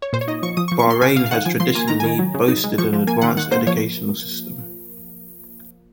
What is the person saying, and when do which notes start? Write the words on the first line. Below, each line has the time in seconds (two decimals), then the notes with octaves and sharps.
Bahrain has traditionally boasted an advanced educational system.
0.02 C#5
0.13 A#2 C5
0.21 C#5
0.28 D#4 D#5
0.42 F3 C#6
0.57 F3 D#6
0.68 C#6
0.72 F3
0.79 C#6
0.87 A#3 C6
1.02 C3 G#5
1.16 C3 F5
1.26 F5
1.31 D#3 F#5
1.45 F3 G#5
1.60 F3 C6
1.75 A#3 G#5
1.88 D#3 A#5
2.00 D#3 G#5
2.19 F#3
2.34 C#3
2.48 D#4
2.64 G#3
2.78 F3 C#6
2.93 F3
3.07 A#3 G#5
3.22 D#3 F#5
3.37 D#3 F#5
3.51 A#3 C5
3.67 F3 C#5